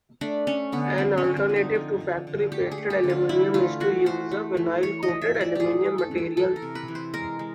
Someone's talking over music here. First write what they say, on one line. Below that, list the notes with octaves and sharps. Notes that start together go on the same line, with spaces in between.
An alternative to factory painted aluminum is to use a vinyl coated aluminium material.
A3 D4
A3 C#4
D3 B3
F3 C4
C#4
D3
C4
F3
D#4
F3
D3
D3
A3 G4
G#4
A3
G4
D3
F4
E3 E4
A3 F4
E3 F#4
A3 C5
A3
E3
E3 C#5
D#5
E3
E5
A3
D5
A3 G4 G#4
A3
A4
E3
A4
E3 A4
A#4
C3
B4
E3
C5
G#3 A#4
G#3